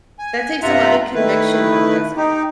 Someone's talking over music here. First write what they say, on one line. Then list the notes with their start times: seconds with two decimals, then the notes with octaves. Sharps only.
That takes a lot of conviction though, doesn't it?
0.19 G#5
0.62 G2 C3 F4 E5 F#5 A#5
1.14 D#3 A3 E4 B4
2.17 D#4 G4